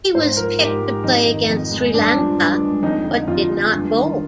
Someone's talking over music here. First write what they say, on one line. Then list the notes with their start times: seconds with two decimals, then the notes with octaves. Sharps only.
He was picked to play against Sri Lanka but did not bowl.
0.15 G#2 C5
0.37 F3 A#4
0.60 G#2 G4
0.82 G#3
1.04 F2 D#4
1.27 D#3
1.49 F2
1.71 G#3
1.94 G2 D4
2.16 F3
2.38 G2
2.60 G#3
2.82 F2 D#4
3.05 D3
3.28 F2 F4
3.50 G#3
3.73 G2
3.94 D#3